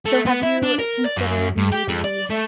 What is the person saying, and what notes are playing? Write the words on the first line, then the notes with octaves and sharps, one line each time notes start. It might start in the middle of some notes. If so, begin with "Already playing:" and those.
so, have you considered, maybe,
A3
B3
E4
D4
A#4
D5
F#2
G2
G4
F2
D5
A3